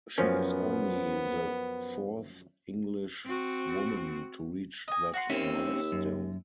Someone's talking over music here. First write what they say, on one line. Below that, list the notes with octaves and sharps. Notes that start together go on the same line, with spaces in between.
She is only the fourth English woman to reach that milestone.
F#2 F3 B3 C#4 A#4 C5
C4 F#4
D#5 G#5
F#4 F#5 C6
D#2 A#3 C4 C#4 E5
F#2